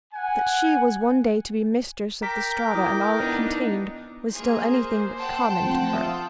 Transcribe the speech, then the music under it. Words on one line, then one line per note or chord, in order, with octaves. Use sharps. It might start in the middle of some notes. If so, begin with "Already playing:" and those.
That she was one day to be mistress of the Strata and all it contained was still anything but "common" to her.
F#5 G#5
A#4 G5 A#5 D6 B6
E4 D#6
B3 D4 D#4
A#3 G#4 C5
F#5 G5 A5
F3 A3 C4
F4 E5 D#6